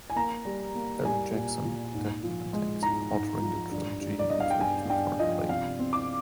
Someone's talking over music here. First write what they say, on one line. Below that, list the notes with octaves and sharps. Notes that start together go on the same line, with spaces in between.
Barry Jackson adapted the text, altering the trilogy into a two-part play.
G#5
A#3 A#5
G3
A#3
G3 G#5
A#2
A#2
G#2
F3
G#3
G#2 A#5
G#2
F3
G2
G2
D5
G2 D#5
F5
G5
G2 G#5
G2 G5
F3 D#5
C3 F5
C4
D6